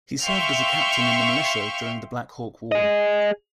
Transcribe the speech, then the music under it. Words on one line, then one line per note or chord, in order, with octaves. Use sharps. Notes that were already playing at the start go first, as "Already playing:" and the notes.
He served as a captain in the militia during the Black Hawk War.
E5 F5 G5 C6 C#6 F6
G#4 D#5